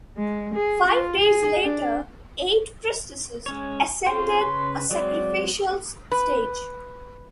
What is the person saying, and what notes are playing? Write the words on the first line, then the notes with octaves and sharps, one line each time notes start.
Five days later, eight priestesses ascended a sacrificial stage.
G#3
G#4
F4
G#4
D4
G#3 C#4 C#5
C4 C#4 F4 C5 C#5 C6
C#3 B4
F#3 G#3 C4 D5
B4